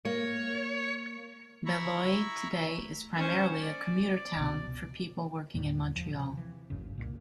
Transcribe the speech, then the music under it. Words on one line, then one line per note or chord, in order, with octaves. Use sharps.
Beloeil today is primarily a commuter town for people working in Montreal.
A#3 C#5
E4 A#5 B5 C#6
A3
C#4 C5
D5
B3
C#2 B2
D#2 A2 D3 G3
E1 F3
C3 F3
E3
D1 G#1 F#2 C#3
C2 A#2